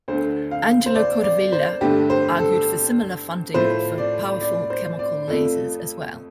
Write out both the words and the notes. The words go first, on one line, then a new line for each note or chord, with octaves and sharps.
Angelo Codevilla argued for similar funding for powerful chemical lasers as well.
D2 D3 A3 C5
F5
C5
D5
D5
C5
G2 D3 A3 G4
C5
A4
A2 F3 A3 C5
D5
D5
C5
D5
F2 F3 A3 A4